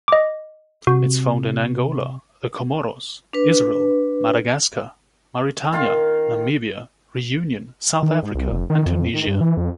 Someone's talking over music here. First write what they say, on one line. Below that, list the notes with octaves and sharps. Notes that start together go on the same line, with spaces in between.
It’s found in Angola, the Comoros, Israel, Madagascar, Mauritania, Namibia, Reunion, South Africa and Tunisia.
D#5 D6
C3 F#4
D4 B4
D#3 F4 A#4 F5
D#3
G#2
C2
F1
D#3
F2
D#3
G2
E3
F2